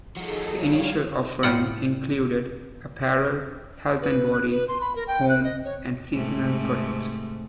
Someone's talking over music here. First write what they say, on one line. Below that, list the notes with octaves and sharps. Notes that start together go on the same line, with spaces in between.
The initial offering included apparel, health and body, home, and seasonal products.
F3 D#4 F#4 G#4 A4
G3 C#5 F5
A2 G3 F4 F#5
B4
F#6
B4
C6
B5
A#4
G5
F#6
D#5
C#5
G#2 C3 A3